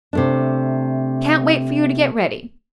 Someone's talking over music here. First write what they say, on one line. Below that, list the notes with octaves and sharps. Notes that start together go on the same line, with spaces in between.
"Can't wait for you to get ready."
C3 A3 D4